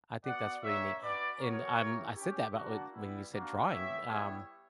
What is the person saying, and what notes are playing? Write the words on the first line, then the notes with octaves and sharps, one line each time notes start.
I think that's really neat, and, um, I said that about when you said drawing, um,
B3 F#4 D5 F#5
A#3 D4 G4 C#5 E5
C#4 F#4 B4 D5
B3 F#4 A#4 C#5
A#3 E4 G4
C#4 G4
A#3 D4 F#4
G3 B3 E4
A#3 D4 F#4
B3 E4 G4 C#5 E5
G3 B3 E4 G4 C#5 E5